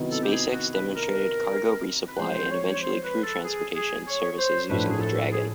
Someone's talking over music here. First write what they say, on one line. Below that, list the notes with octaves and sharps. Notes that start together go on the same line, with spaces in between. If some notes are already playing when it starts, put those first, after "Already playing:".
SpaceX demonstrated cargo resupply and eventually crew transportation services using the Dragon.
Already playing: C3 D#3 F#3 B3 E4
A4
G4
G#4
F#4
B4
A#4
B4
F3 G#3 C4 C5
C5
C#5
C#5
C5
B4
A4
G#4
G#4
C#5
C5
A2 F3 A3 D4 B4
G#4
A4
G#4